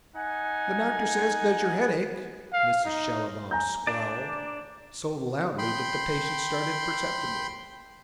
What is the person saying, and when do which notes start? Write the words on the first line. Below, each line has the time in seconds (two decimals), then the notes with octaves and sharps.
"The doctor says 'does your head ache?'" Mrs. Schallibaum squalled, so loudly that the patient started perceptibly.
0.16 D#4 F#5 G#5
2.53 F5
2.85 D#4
3.51 G#5 A#5 G6
3.87 D4 D5
5.58 G5 B5 C6